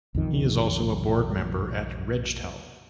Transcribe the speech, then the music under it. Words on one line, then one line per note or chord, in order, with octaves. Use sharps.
He is also a board member at Regtel.
B1 F2 D#3